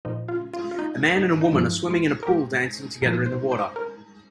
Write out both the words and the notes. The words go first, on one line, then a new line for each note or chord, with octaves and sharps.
A man and a woman are swimming in a pool dancing together in the water.
A#2 F3 D#4
F4
F4
F4
D#4
D#4
D#4
G2 F3 F4
F4
A#4
G4
A#2 F3 A#4
C5
C5
A#4